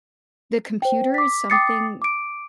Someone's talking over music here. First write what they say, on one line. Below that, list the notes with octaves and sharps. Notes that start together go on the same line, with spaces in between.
the computer is something
C5 G5
D6 B6
G5 D6 D#6 A6 C7 C#7
D6 D7